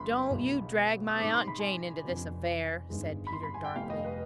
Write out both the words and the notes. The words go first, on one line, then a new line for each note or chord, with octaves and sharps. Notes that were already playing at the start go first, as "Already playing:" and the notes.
"Don't you drag my Aunt Jane into this affair," said Peter darkly.
Already playing: G1 G2 G#3 B5 C6
B1 B2 G#3
D#6
G#2 D#3 G#3 C4 D6
C6
B5
G#5
F2 C3 F3 B3 D4
G1 G2 D#3 G#3 C4
B5
C6
B5
G#5
G5
F1 F2 C3 F5
D#5
B4